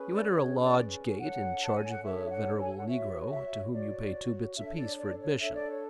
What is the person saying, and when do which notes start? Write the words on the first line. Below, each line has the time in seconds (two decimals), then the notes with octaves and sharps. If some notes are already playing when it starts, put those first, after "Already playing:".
You enter a lodge gate in charge of a venerable negro, to whom you pay two bits apiece for admission.
Already playing: C#4 G#4 B4
0.14 D5
0.34 C#4 G#4 B4 C#5
0.63 D5
1.19 D4 A4 C#5 F#5
1.63 A5
1.76 G#5
1.90 F#5
2.03 D4 A4 C#5 E5
2.26 E5
2.31 F#5
2.60 G#5
2.77 F#5
2.87 F#4 C#5 E5
3.30 E5
3.72 F#4 C#5 D5
4.56 D4 A4 C#5 E5
4.77 D5
4.99 D5
5.19 C#5
5.41 D4 A4 C#5 E5
5.54 D5
5.66 C#5